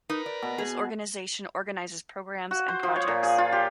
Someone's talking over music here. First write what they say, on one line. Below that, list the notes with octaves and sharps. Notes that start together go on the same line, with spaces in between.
This organization organizes programs and projects.
D#4 A#4 B4
D5
B2
G#4
F#4
C5
F3
C#5
A#2
G#4
F4
G4